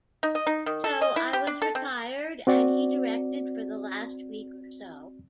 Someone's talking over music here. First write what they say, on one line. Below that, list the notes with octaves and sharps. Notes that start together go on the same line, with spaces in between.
So I was retired and he directed for the last week or so.
D#4
D#5
D#4
D#3
A4
D#5
E4
G4
D4
A4
C4
C4 F#4 D5